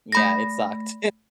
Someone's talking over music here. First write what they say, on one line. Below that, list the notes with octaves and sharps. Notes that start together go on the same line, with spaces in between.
Yeah, it sucked.
A3 B5 A#6